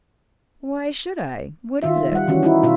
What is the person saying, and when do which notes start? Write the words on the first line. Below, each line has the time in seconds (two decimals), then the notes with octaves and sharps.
"Why should I? What is it?"
1.83 D#3 F4 E5
2.12 G3 F#5
2.28 D#3 E3 C#4 F#4
2.43 D#4 E4 F#4
2.63 B2 F4 E5